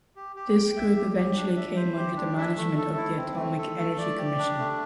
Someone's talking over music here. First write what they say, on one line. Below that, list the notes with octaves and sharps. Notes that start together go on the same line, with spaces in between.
This group eventually came under the management of the Atomic Energy Commission.
G4
G4
G5
E5
G4
G4
D4
E5
C5
G4
D4
E5
A3
A4
E4
C4
A3
A4
A3
D5
G4
D4
A3